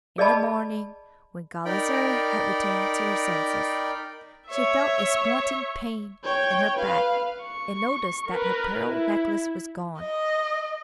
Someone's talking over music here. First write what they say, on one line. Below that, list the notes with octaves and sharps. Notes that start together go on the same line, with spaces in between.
In the morning, when Gulizar had returned to her senses, she felt a smarting pain in her back, and noticed that her pearl necklace was gone.
G#4 D5 D#5 A5 B5
D#4 A#4 D5 G5 B5
C#5 E5
C#5 G5
B4 F5
C#6
A#4 B4
E4
D#5